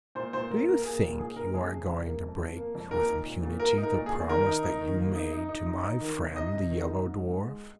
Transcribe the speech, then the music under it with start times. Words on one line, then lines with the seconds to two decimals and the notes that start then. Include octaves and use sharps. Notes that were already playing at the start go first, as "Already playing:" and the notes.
Do you think you are going to break with impunity the promise that you made to my friend the Yellow Dwarf?
0.15 A#2 C5
0.33 A#2 C5
0.50 A#2 A#4
0.67 A#3 A#4
0.85 A#3 G#4
1.02 A#2
1.19 A#2 G#4
1.36 A#2 A#4
1.54 F2 G#4
1.71 C3
1.88 C3
2.05 A#3
2.23 F2
2.40 F2
2.57 A#3
2.75 F2
2.91 A#2 A#4
3.08 D#4
3.26 A#2
3.43 A#2
3.60 A#3 A#4
3.78 D#4
3.83 A#4
3.94 A#2
4.06 G#4
4.12 A#2
4.28 D#3 A#4
4.46 D#4
4.63 D#4
4.81 D#3
4.98 A#3
5.15 D#4
5.33 D#4
5.49 D#4
5.66 D#4
5.84 D#4
6.00 D#3
6.18 C3
6.35 D#4 D#5
6.53 C3
6.70 D#3
6.86 D#4
7.05 G#2
7.22 G#2
7.39 G#3